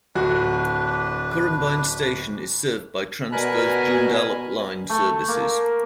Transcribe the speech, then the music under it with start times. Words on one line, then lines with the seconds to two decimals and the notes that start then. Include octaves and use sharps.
Currambine station is served by Transperth Joondalup line services.
0.15 D1 D4 F#4 B4
3.32 B2 A#4 B4 D5 G#5 B5 F#6
4.90 A3
5.28 A#3